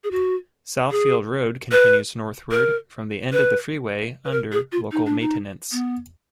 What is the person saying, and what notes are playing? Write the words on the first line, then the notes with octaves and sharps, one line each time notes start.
Southfield Road continues northward from the end of the freeway under local maintenance.
G#4
F#4
G#4
B4
A#4
B4
B4
A#4
G#4
F4
D#4
D4
D#4
B3